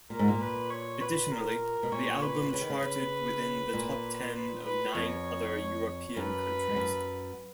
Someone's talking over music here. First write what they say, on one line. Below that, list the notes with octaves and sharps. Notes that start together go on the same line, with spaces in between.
Additionally, the album charted within the top ten of nine other European countries.
A#2 A#4
G#2
A#2
B4
C#5
B4
A#4
B2
A#2 C#5
B4
C#3 B4
D#3
C#3
A#2
B4
B4
F2 C#5
F#2 B4
G#2
F#2